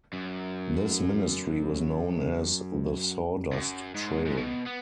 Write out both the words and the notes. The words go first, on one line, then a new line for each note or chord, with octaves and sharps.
This ministry was known as "The Sawdust Trail".
F#2
F#2
G#2
G#2
B2
B3